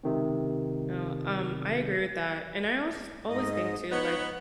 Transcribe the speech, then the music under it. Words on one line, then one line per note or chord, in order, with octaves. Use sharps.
No, um, I agree with that, and I also s always think too, like,
C#2 C3 D#3 C4
G#2 D#5
B3 D#4 C#5